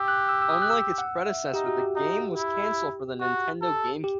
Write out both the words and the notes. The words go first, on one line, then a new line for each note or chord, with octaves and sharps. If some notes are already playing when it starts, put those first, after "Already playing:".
Unlike its predecessor, the game was cancelled for the Nintendo GameCube.
Already playing: G4 E6
F#6
E6
E6
D#6
F#6
E6
F#5
E5
D#4 G4
F#4
G4
D#4
E4
F#4
A4
G4